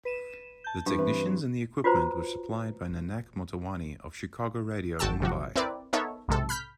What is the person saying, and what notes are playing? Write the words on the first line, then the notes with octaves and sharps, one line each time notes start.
The technicians and the equipment were supplied by Nanak Motawani of "Chicago Radio", Mumbai.
B4 D#7 E7
A5 G6
G2
E3 C4 B4
F4 F#4 B4 C5 A#5
G#1 F#4 G5 A5 E6
G#1 C3 F3 F#4
C4 E4 A#4 B4 D5
B3 D#4 A4 A#4 C#5 E5
B1 G#2 C3 A4
B5 F6 G6 B6